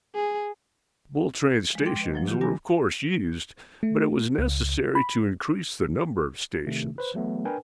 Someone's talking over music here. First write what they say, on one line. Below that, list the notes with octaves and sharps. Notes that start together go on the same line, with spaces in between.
The bull-train stations were of course used, but it was necessary to increase the number of stations.
G#4
F3 G#3
G5 C6 D6 G#6
B4 D#5
F3 F#3 A#3
D#3 F4 G4
B2 G3 D4 G4 G#5 A#6
A3
C#2
B5
C3 D#3 A3
B4 C5
E3 F#3 A3 B3
D4 A#4 B4 G5 G#5